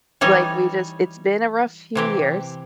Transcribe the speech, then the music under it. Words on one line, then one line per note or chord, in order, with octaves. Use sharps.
like, we just it's been a rough few years,
E3 G3 D#4 C#5
C3 E3 G4